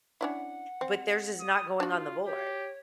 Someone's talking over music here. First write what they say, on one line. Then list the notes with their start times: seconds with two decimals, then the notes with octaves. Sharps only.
but theirs is not going on the board.
0.21 C#4 D4 E4 F#5
0.81 C4
1.41 D#6
1.80 D4 F4 F#4
2.26 G4 C#5